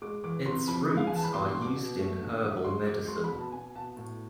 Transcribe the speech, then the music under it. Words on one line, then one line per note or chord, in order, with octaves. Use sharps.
Its roots are used in herbal medicine.
G#3 D6
E3 D6
C3 C6
F3 B5
G#3
F5
G#5
E3 A5
B5
B2 C6
C6
B2
D6
B2
A3
D3
D3
G#3 C6
G#3 D6
G#3 C6
B5
B2
A5
B2 G#5
B2 A5
A2